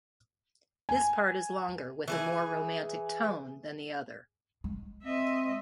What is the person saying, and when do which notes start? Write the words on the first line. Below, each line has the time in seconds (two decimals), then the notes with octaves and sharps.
This part is longer with a more romantic tone than the other.
0.89 G#5
2.08 E3 G#4 G#5
4.64 G#3
5.03 C4 D#5 E5